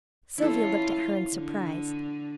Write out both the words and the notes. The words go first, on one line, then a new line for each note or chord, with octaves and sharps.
Sylvia looked at her in surprise.
E3 C#4 E4 F4 A4
D3